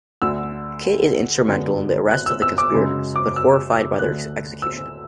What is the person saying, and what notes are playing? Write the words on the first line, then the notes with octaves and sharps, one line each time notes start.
Kit is instrumental in the arrest of the conspirators, but horrified by their execution.
D2 D3 A3 E6
F#2 D3 G#3 B3
F#6
E6
E6
D6
F#2 C#3 G#3
D6
E6
D2 D3 A3 F#6
E6